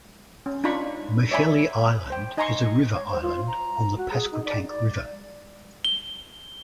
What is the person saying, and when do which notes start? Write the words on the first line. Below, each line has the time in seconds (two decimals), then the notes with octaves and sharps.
Machelhe Island is a river island on the Pasquotank River.
0.46 C#4
0.64 D4 D#4 F4 B5 C#6
1.31 C#5 D5 E5 G#5 B5 C#6
2.10 C5 G5
2.37 D#4 D#5 G#5 A#5 C6 C#6
2.94 C#5
3.10 C5
3.22 F4
3.47 A#5
3.98 F#4
4.11 G#4
4.32 D#4
4.45 D5
4.67 D5
5.85 G7